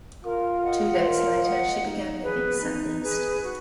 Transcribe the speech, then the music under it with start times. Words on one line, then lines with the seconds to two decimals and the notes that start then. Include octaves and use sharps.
Two days later, she began moving southeast.
0.25 F4 A#4
0.63 D#5 F#5
1.04 A#4
1.43 D#5 F#5
1.83 D#4
2.22 G#4 B4
2.61 D#4
3.01 G#4 B4
3.42 F#4